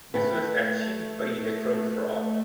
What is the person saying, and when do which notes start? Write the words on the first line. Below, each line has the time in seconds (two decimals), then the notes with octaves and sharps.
This was achieved by electoral fraud.
0.14 A3 B4 G5